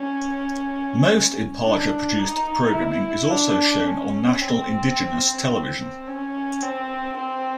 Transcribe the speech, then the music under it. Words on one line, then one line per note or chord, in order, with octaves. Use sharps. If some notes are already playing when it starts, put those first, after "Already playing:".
Most Imparja-produced programming is also shown on National Indigenous Television.
Already playing: C#4
D4
D#4
E4
D4
C#4
C4
C4
C#4
C4
C4